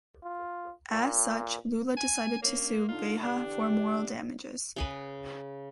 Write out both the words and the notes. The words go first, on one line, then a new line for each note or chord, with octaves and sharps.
As such, Lula decided to sue "Veja" for moral damages.
F4
A#2
G#5
A#3 C#4 D4 C#5
D3 D#4 F4
D3 E3 D4 G4
C#3 G#4 B4